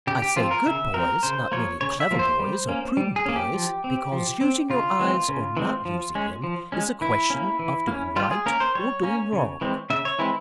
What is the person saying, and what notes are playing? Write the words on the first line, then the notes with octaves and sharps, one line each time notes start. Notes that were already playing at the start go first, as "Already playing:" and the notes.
I say "good boys;" not merely clever boys, or prudent boys: because using your eyes, or not using them, is a question of doing Right or doing Wrong.
C#3 G4
G4
F3 C4 F4
A#4
C#3 E5
F3 C4 A#4
C#3 C5
F3 A#3 C#5
C#3 C#5
E5
F3 A#3
C5
G3
A#3 C#4
G3
G#4
A#3 C#4
G4
F3
C4
F3
C4
C#3 F4
E3 G#3 C4
C#3
E3 G#3 C4
F3
G#3 C#4
F3
G#3 C#4
E3 E4
A#3 C#4
E3
A#3
C#4
G3 F4
G#4
A#3 C#4 A#4
C5
G3 C#5
A#3 C#4
C#3
E3 G#3 C4
C#3 E5
C#5
E3 G#3 C4 E4